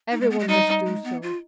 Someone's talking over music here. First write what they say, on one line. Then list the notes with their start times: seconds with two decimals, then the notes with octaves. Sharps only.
Every one must do so.
0.11 D#4
0.21 G#3
0.30 B3
0.39 G#3
0.48 G3 D#4
0.67 G3
0.86 G#3
1.04 B3
1.23 F4